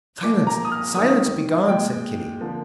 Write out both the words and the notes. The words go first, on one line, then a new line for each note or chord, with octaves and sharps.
"Silence, silence, begone!" said Kitty.
A#2 F3 A#3 D6
A#5
D#6
F6
D#3 G3 A#3 D#6
A#2 G#3 G5
D3 F3 A#3